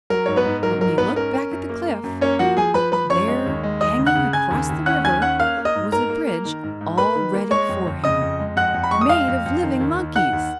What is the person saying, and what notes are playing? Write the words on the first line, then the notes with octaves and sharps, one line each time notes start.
But when he looked back at the cliff, there, hanging across the river, was a bridge all ready for him--made of living monkeys!
F#3 A#4
G#2 C#5
B3 B4
G#2
F#3 A#4
G#2 A#4
G#2 B3 B4
C#4 A#4
C#4
F#2
A#3
A#3
F#2
A#3 C#4 C#5
F3 F#4 F#5
F3 G#4 G#5
F3 B4 B5
F3 B4 B5
F#2 C#5 C#6
G#3
D#2
G#3
D#2 D#5 D#6
C#3
F#5 F#6
C#3
C#3 G#5 G#6
D#2
D#2
C#4 F#5 F#6
D#2 G#5 G#6
C#4 F#5 F#6
A#3 F5 F6
A#3
D#5 D#6
G#2
G#2 A#4 A#5
A#3
A#3
D#3
G#2
G#2
A#3 B4 B5
D#3
A#3
G#3 C#5 C#6
F2
F2
C#3 D#5 D#6
F2
G#3
F2 F#5 F#6
F2
B5
G#3 C#6
D#6
F2 F5 F6
F2
F2
D#3
D#2
D#3
D#3 F#5 F#6
D#2